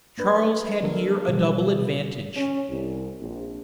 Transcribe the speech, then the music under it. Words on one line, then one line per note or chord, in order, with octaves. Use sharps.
Charles had here a double advantage.
A#3 D4 B4
D3 F3 A#3 D4 A4 A#4
B2 D#3 F3 G3 B3
C#4
C2
A#1